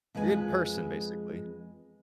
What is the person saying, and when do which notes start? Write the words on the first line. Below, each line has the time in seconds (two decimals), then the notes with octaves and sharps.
A good person, basically.
0.15 F2 G#3 B4 G#5